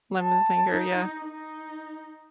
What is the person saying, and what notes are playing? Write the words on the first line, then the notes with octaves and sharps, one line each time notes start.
lemon zinger, yeah.
A5
D#4
D#4